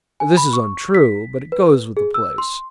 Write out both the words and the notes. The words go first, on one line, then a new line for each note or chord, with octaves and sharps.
This is untrue, but it goes with the place.
G#5
B5
C#6
B6
B4
G#4
E6
C6